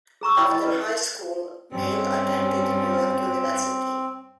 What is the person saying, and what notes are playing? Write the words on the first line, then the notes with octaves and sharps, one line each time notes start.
After high school, Mele attended New York University.
G#4 A#5 C#6 E6
E4 C#5 E5 F#5 G5 B5
E4 D#5 B5
C#4 B4
G2 C4 C#4